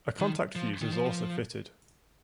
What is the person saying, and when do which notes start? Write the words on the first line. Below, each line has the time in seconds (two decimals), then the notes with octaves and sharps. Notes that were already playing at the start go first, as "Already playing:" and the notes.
A contact fuse is also fitted.
0.20 D#3
0.56 F3
0.82 D#3
0.93 F3